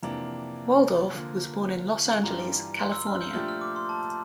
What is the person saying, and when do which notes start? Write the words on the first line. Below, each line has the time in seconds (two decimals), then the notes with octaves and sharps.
Waldorf was born in Los Angeles, California.
0.03 F2 C3 E3 A#3 D4 A#5
1.13 D3 F3 A#3
2.23 G2 E3 G3 D4 F4 A#5
2.79 C6
2.92 E6
3.07 F6
3.21 G6
3.33 A#2 F3 A3 D4 G4 F6
3.48 F6
3.61 D6
3.76 C6
3.89 A5